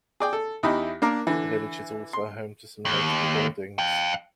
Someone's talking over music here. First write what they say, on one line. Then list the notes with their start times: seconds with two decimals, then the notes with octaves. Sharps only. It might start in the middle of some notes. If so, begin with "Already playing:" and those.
The village is also home to some notable buildings.
0.20 G#4 D5 G5
0.33 A4
0.63 E2 D#4 E4 G4 B5
1.02 A#3 D4 A#4
1.27 D3 E3
2.13 C6
2.85 D#2
3.78 F5 G5